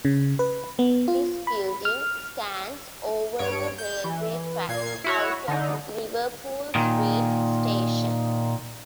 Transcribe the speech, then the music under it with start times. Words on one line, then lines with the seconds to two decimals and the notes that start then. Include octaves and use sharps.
This building stands over the railway tracks out of Liverpool Street station.
0.05 C#3
0.39 B4
0.79 B3
1.08 F4
1.47 B5
1.85 F6
3.39 G2 C#5 D7
3.78 G6
4.04 E3
4.69 A#2 G#6 C7
5.04 E4 F#4 C#5
5.48 D3 D#4
6.75 A#2 D#3